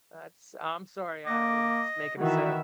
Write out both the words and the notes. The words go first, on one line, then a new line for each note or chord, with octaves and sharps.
that's I'm sorry, I it's making it sad.
A#3 D#5 D6
D#3 E3 F#4 E5 F#5